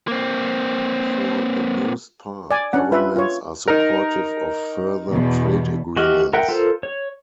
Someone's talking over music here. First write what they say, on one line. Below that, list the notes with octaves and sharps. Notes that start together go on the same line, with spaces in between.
For the most part, governments are supportive of further trade agreements.
A#3 C4
D5 G#5
C#4 D4 F#5
F4 B4 E5
F4 C#5
D#4 A#4
E2 B2
E3 F#4 G4 D#5 F6
A#4 E5 F#5 G5
F4 A4 A#4 C5
C#5